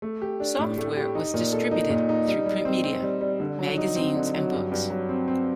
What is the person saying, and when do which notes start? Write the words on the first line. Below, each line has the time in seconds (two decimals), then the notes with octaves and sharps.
Software was distributed through print media; magazines and books.
0.02 A3
0.22 G4
0.40 D4
0.59 A2
0.78 A3
0.97 G4
1.15 D#4
1.34 A#2
1.53 A4
1.71 D#4
1.90 A#2
2.09 D#4
2.28 G3
2.46 G3
2.65 C4
2.84 C4
3.03 G3
3.21 G3
3.40 D3
3.59 F#3
3.78 D#4
3.96 C4
4.15 D3
4.34 F#3
4.53 G2
4.72 G2
4.90 F#3
5.09 C4
5.28 C4